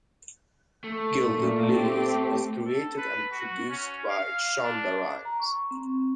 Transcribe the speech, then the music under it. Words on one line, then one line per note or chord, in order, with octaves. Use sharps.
"Gilded Lillys" was created and produced by Shonda Rhimes.
A3
A#2
C4 G4
A4
B4
F#4
C#4
F5
D4
A#5
C#6
C4